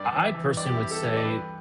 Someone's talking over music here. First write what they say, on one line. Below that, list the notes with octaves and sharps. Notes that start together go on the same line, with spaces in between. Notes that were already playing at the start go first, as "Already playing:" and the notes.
I I personally would say
Already playing: G2 D5
E3
E5
E3
G2 D5
G4
E4
G2
A4
E3
A4
D5
G2 B4